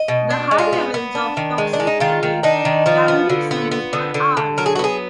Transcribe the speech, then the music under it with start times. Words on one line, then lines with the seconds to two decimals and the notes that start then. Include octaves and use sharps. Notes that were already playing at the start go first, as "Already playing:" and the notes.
The high levels of toxicity can be seen for hours.
Already playing: D#5
0.08 B2
0.30 D4
0.51 G#3
0.58 F4
0.73 B3
0.94 B3
1.15 D4
1.37 D#3
1.58 G#3
1.73 D4
1.80 G#3
1.87 D#4
2.00 D#3 F4
2.23 D#3
2.43 D4 D#4
2.65 D#3
2.86 F3 F4
3.08 B3
3.30 D3
3.51 B3
3.71 B3
3.93 D3
4.14 D3
4.37 D3
4.58 F#3 A#4
4.66 G#4
4.75 F#4
4.79 B3 G#4